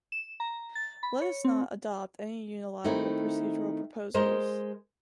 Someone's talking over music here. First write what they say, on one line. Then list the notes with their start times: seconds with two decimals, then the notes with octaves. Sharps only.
Let us not adopt any unilateral procedural proposals.
0.12 E7
0.40 A#5
0.75 A6
1.03 B5
1.22 C#5
1.45 C4
2.84 D#3 A3 C4 D#4 E4
4.14 G#3 A#4 C5 D#5